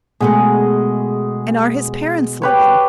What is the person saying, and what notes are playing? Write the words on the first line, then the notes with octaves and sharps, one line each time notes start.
"And are his parents living?"
B2 G#3 A3 G#4
G4 B4 C#5